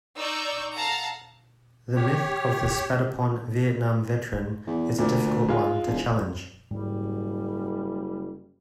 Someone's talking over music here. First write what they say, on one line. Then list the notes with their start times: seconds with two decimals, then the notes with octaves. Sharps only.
The myth of the spat-upon Vietnam veteran is a difficult one to challenge.
0.17 D#4 D5 A#5 C#6 E6 G6
0.74 A4 F5 F#5 A5 A#5
1.95 G4 C#5
4.67 E2
4.98 D2 A#2
5.48 G#3 F4
5.86 E1
6.71 F#1 G#2 G3